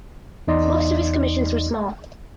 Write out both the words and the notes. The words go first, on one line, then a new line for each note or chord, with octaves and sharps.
Most of his commissions were small.
E2 D#4 D5 D#5 C6